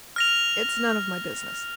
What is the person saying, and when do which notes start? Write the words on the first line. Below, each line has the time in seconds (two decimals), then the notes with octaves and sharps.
It's none of my business.
0.16 F6 A#6 F7